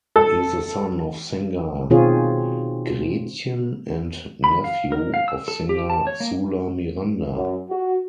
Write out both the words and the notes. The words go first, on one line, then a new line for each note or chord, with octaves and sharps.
He is the son of singer Gretchen and nephew of singer Sula Miranda.
A4
B2 D#3 C4 F4 G#4 C#5
B5
F5
A#4
F5
E6
A4
G4
A5
C#5
A#3
F#2
F#4